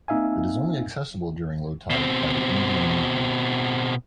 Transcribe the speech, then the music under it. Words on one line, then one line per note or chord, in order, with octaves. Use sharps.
It is only accessible during low tide by the Indian Navy.
A#3 C4 D#4 E5 F5 G#5
B2 C4